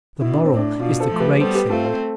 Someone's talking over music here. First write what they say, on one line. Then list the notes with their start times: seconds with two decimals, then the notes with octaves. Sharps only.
The moral is the great thing.
0.21 B2 E4
0.33 D4
0.45 C4
0.50 A2
0.56 D4
0.80 B2 D4 F4
1.00 A4 C5
1.10 F3 A3
1.20 G4 B4
1.40 G3 B3 A4 C5
1.54 G4 B4
1.69 A3 C4 F4 A4
1.85 A4 C5